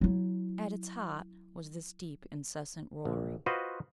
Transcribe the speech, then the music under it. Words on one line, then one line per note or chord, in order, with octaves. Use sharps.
At its heart was this deep, incessant roaring.
F#3 E4
A#1
F4 F#4 B4 C5 D#5